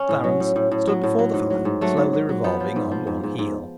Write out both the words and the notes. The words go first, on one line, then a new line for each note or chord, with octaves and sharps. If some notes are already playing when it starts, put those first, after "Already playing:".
Clarence stood before the fire, slowly revolving on one heel.
Already playing: C#4
A2
F#3
A2
A2
A2
F#3
A2
F#3
G#2
F#3
G#2
F#3 A3
G#2
F#3
F#3
F3 B3
F3
G#2
F3
G#2
G#2
G#2